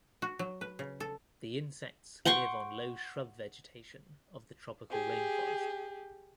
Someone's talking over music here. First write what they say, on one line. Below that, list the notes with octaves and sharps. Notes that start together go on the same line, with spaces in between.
The insects live on low shrub vegetation of the tropical rainforest.
F#4
F#3
B4
C#3
A4
F#5 G5 C6 C#6
G4 G#4